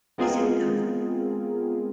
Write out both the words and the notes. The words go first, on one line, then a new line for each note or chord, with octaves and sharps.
is it the v
G#3 B3 C4 F4 G#4 A#4